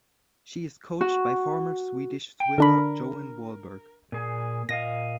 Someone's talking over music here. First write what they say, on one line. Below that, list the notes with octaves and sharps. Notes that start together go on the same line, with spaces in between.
She is coached by former Swedish swimmer Johan Wallberg.
F#4
G5
D3 D4 A#4 B5
A#2 G#4
A#2 D#5 F5 A#6